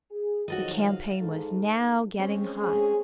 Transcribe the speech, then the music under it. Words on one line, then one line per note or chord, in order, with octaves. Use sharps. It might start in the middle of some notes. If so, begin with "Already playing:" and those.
The campaign was now getting hot.
G#4
D#3 F3 F#3 F#4 A4 D#5
F5
G#2 D#4 A4
G#3 C4 C#4
G#4